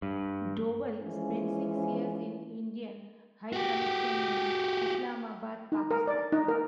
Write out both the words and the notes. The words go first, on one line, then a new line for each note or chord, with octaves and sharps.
Doval spent six years in Indian High Commission in Islamabad, Pakistan.
G2
E3 F3 G#3 C#4
F#4 G4
D#4
A#4
D5
D#4
A#4